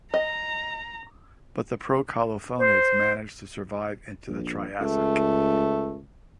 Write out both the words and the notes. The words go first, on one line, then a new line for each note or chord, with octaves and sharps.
But the procolophonids managed to survive into the Triassic.
D#5 A#5
C5
A#1
C#2 A3